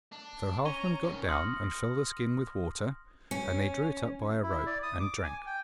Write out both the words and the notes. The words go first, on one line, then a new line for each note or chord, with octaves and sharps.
So Halfman got down and filled a skin with water, and they drew it up by a rope and drank.
D4
C#4 A#5 C#6 G7
B2 D#3
C6 D#6 F6 A#6 C#7 F#7
C#4
E4
D5
D#6
D6
G#5
G5